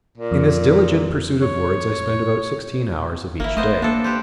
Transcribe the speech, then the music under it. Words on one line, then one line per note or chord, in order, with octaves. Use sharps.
In this diligent pursuit of words I spent about sixteen hours of each day.
A#2
F2
C#5
G1 A#3 E4
A3 B3 C5 D#5
A#3 D4 A4
G4 B4 C5